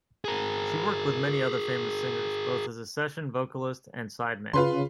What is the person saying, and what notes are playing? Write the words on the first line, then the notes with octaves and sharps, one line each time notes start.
She worked with many other famous singers, both as a session vocalist and sideman.
G#4 A#4
C#3 F4 B4 C6